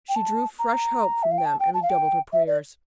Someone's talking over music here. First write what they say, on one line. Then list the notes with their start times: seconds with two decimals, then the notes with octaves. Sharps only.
She drew fresh hope from them and redoubled her prayers.
0.09 G5
0.16 A5
0.59 A#5
1.23 E5
1.31 F5
1.38 G5
1.45 A5
1.60 G5
1.74 A5
1.83 F5
1.90 G5
2.33 E5
2.47 D5